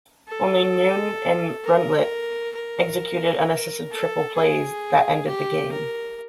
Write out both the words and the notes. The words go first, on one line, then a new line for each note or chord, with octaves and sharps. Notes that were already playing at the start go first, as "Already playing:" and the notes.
Only Neun and Bruntlett executed unassisted triple plays that ended the game.
A4
A#4
A#4
A4
G#4
G4
A#4